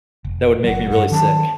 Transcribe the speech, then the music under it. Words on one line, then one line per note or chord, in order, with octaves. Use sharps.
that would make me really sick.
F1
F#1 F#3 F#5
G2 F#5
D#3 F#3 C#4 A5